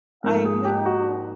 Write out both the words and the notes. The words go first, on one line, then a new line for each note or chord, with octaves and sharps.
I know,
G#2 F3 A#3 A#4
G#4
G4
F#4